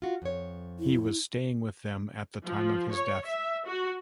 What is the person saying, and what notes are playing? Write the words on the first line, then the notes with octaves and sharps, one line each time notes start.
He was staying with them at the time of his death.
F4 F#4
F2 C#5
E4
F3
C#5
E5
F#4